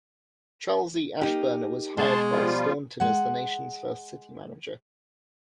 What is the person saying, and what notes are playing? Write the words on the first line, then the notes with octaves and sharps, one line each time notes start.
Charles E. Ashburner was hired by Staunton as the nation's first city manager.
A#3 D#4 G4
B2 G#3 A5 C6
F3 G3 F4
G#3 F#5